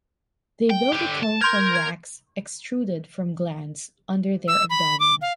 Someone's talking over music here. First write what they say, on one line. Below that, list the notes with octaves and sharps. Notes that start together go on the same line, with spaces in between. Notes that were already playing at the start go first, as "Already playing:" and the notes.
They build the comb from wax extruded from glands under their abdomen.
G5
D3 G4
A5
A#4 C6 G6 G#6
G#6
E6
B5
D6
F5